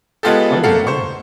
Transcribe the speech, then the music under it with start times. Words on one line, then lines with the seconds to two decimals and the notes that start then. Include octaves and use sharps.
Oh, my.
0.23 G#3 B3 F4 G4 A4
0.63 A3 A#3 A4 F5 F#5
0.87 C5 C#6